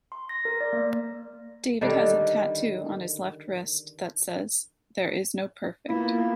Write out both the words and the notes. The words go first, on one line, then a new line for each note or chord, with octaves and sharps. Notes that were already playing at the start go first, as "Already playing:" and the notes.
David has a tattoo on his left wrist that says "There Is No Perfect".
C6
A#6
A#4
D5
A#3
D3 D#3 G3
A#3 B3 E4 F4